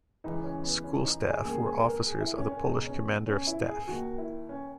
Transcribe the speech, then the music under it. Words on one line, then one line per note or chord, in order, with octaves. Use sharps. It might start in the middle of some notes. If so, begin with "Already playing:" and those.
School staff were officers of the Polish Commander of Staff.
C#2 C#3 E3 D#4
C#4
B3
C#4
D#4
G#4
E1 D#2 C#3 G#4
G#4
A#4
G#4
E4
C#4
C#4
C#2 B2 D#4
C#4
C#4
E4
G#4
G#4
D#2 D#3 F#4
E4
C#4